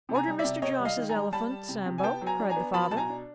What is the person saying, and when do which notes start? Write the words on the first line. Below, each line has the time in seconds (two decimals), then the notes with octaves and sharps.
"Order Mr. Jos's elephant, Sambo!" cried the father.
0.09 C3
0.15 G#5 A#5
0.27 G3
0.39 D5 E5
0.44 C3
0.62 C3 C#5 D#5
0.79 G3
0.85 D#5 F5
0.97 D#3
1.09 G#5 A#5
1.15 G3
1.32 G3 A5 B5
1.50 G3
1.69 C3
1.86 C3
1.98 G#5
2.03 B3 G5 A5
2.21 F#3
2.26 G#5 A#5
2.39 D4
2.50 G#5 A#5
2.56 B3
2.73 F#3 A5 B5
2.91 B2 A5
2.97 G#5 A#5
3.09 D4